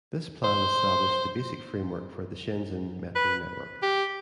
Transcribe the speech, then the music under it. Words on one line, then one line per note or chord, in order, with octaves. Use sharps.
This plan established the basic framework for the Shenzhen Metro network.
C5
B4
G4